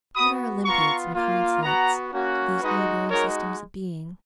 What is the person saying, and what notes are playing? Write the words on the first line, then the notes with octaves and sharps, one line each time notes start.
What are Olympiads and Consulates to these neighboring systems of being?
B3 F#4 B5 D#6
B3 F4 A#5 C#6
A#3 F4
B3 F#4 F#5 A#5
A#3 C#4 F#4
G#3 D#4 F#4 B4 D#5
G#3 D#4 F#4 A#4 C#5